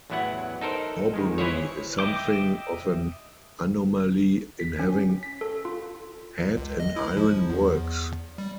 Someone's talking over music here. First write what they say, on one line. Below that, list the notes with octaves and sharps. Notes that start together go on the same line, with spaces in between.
Horbury is something of an anomaly in having had an iron works.
A1 E2 F#3 B3 E4 F#5
D#4 A4 A#4 C5
G#2 D#3 G#3
E3 E4 G#4 C5 C#5
D#5 E5 G5 D6
B6
C#4
B6
A4
F4
C#2
D#5
E4
F3
E2
G3